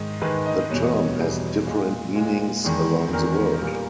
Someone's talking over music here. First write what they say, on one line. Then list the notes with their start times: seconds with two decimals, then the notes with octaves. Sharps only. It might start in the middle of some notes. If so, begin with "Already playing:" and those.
The term has different meanings around the world.
Already playing: G#2 D#3 G#3 D#5
0.21 G#2 D#3 G#3 B4
0.46 D#5
0.70 E2 B2 G3 C#5
0.83 D#5
0.94 C#5
1.19 E2 B2 G3 G#4
1.67 A#2 G#3
2.15 A#2 G#3
2.64 E2 D#3 G#3
3.13 E2 D#3 G#3 A#4
3.62 A#2 G3